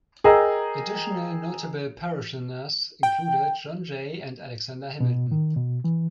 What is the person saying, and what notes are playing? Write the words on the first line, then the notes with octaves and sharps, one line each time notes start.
Additional notable parishioners included John Jay and Alexander Hamilton.
G#4 A#4 D#5 G5 A#5 E6
G5
B2
D#3
B2
E3